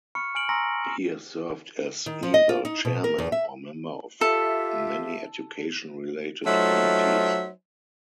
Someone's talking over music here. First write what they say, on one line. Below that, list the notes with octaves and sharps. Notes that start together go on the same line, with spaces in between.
He has served as either chairman or member of many education-related committees.
B5 C#6 F6 C#7
G#5 F6 D7 F#7
G#5 A#5 C6 C#6 E6 A#6
D#3
F3
D#5
F4
D#4
B2
A#4
E2
E5
F4 G4 A4 E5
F#3 A3 D#4 F4 C5 E5